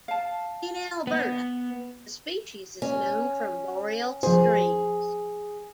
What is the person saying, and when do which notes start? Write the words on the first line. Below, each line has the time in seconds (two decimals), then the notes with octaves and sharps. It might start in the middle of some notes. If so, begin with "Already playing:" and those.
In Alberta, the species is known from boreal streams.
0.08 F5 A5
1.07 B3
2.82 C#4
4.23 F3 G#4 C5